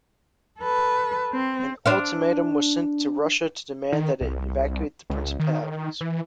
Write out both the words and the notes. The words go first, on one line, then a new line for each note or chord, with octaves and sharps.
An ultimatum was sent to Russia to demand that it evacuate the Principalities.
A4 B4
C4
D4 C5 F5
D#3
C2
C#2
D#3
E3